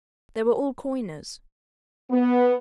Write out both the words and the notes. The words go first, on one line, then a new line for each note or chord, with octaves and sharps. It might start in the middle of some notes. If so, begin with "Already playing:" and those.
They were all coiners.
B3